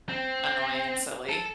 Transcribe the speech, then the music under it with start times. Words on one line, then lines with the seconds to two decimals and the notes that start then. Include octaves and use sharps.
annoying and silly,
0.09 C4
1.29 A4